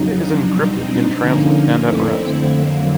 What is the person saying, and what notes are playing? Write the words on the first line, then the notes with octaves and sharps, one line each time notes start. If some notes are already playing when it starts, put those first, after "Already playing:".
Data is encrypted in transit and at rest.
Already playing: F2 C#3 F#3 D#4
D4
B2 G3 C4 D#4
D4
D3 F3 A#3 C#4 D#4
D#4
F2 D3 F3 A3 C4 E4
F2 D3 F#3 A#3